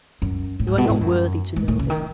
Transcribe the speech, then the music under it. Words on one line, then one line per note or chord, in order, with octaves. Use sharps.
You are not worthy to know him.
F#2
A2
G#2
B2
A2
G#2
F#2
G#2
A2
C#3
D#3